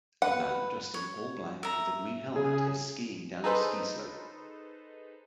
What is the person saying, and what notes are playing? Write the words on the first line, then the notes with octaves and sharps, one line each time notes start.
A man dressed in all black with a green helmet is skiing down a ski slope.
B4 F#5
C#5
E5 A#5
C#3 G#4
D#4 G#4 A4 B4 C5